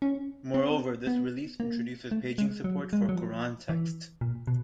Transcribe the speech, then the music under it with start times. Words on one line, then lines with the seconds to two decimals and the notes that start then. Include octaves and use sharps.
Moreover, this release introduces paging support for Quran text.
0.02 C#4
0.54 C4
1.07 B3
1.60 A#3
2.11 A3
2.38 G#3
2.64 F#3
2.93 G#3
3.01 G3
3.09 F#3
3.16 F3
3.69 E3
4.21 A#2
4.47 B2